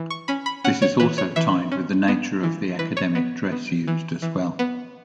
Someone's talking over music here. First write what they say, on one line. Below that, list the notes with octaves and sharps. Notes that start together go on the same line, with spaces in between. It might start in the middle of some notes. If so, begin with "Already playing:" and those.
This is also tied with the nature of the academic dress used as well.
Already playing: E3
C#6
C#4 B5
B5
C#4 F#5
C#5
E3 B4
C#5
E3 E5
C#4
B3
E3
E3 B4
C#5
B3
B3
E3
E3
B3